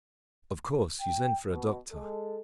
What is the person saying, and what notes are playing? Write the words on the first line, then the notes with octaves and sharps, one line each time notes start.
"Of course you sent for a doctor?"
G5
B2
G#3 A4